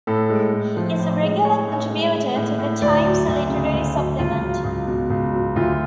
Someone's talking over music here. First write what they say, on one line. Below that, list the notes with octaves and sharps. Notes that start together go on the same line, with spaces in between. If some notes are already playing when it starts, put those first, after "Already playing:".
He is a regular contributor to the "Times Literary Supplement".
A2 A4
G#3
A2
F3
A2
G#3
A2 C#5
A2
G#3
G#3
A2
A2
D2 D5
F#3
D2
C#3
D2
F#3
C#2 F4
F#3
C#2
B2
C#2
F#3
D2 F4